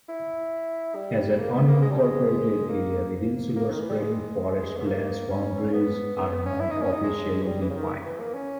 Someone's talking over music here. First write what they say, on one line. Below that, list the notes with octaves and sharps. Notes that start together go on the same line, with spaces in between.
As an unincorporated area within Silver Spring, Forest Glen's boundaries are not officially defined.
E4
G3
A#3
B3
A#3
G#3
G3
G#3
A#3
A#3
D#3
E3
G3
G#3
B3
A#3
C#4
B3
B3
B3
C#4
E4
D#4
C#4
D#4
G#3
E3
G3
E3
C#3
D#3
E3
A#3
C#4